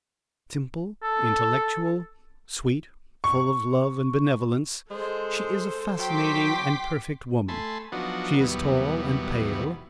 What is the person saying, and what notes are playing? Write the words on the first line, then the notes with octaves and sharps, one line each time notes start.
Simple, intellectual, sweet, full of love and benevolence, she is a fascinating and perfect woman. She is tall and pale.
A4
C#6
G#3 A4 C5
F#3 G5 C6 D6 B6
A3 G#5 A5 B5 C6
F3 F#3 B3 D4 D#4 F#4
D#2 B2 E3 F#3 G3 B3